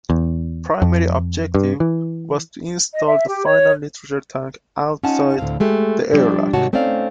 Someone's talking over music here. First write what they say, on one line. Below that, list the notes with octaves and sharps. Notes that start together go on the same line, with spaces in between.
Primary objective was to install the final nitrogen tank outside the airlock.
E2
F2
G2
E3
D#5
E5
G4
C#5
C#4 D#4 F4 F#5 A5
D2 A2 D#3 C4 F5
G#3 A3 G4
F3 G3 D4
G#2 C3 D#3 F#4 C#5 A5
A3 C4 C#4 D#4 D5 F5